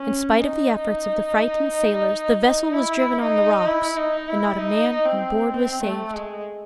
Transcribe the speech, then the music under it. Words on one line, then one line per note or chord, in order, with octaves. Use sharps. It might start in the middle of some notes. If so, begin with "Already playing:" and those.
In spite of the efforts of the frightened sailors the vessel was driven on the rocks, and not a man on board was saved.
Already playing: C#4
D#4
E4
D#4
E4
D#4
E4
D#4
C4
C4
A3
G#3